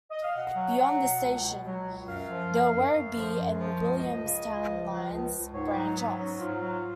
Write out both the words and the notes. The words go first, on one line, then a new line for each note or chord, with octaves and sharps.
Beyond the station, the Werribee and Williamstown lines branch off.
D#5
F5
B2 F#5
F#3
F#3
B2
C#2
B2
F#3
C#2
F#2 F5
F3
F#2
F#2
F#2
F3
F#2
F3
C#2 D#5
C#2
C#3
C#2
F3
C#2
C#2
C#2
G#2 C#5
F#3 D#4
G#2 B3
F#3 C#4
G#2 F4
F#3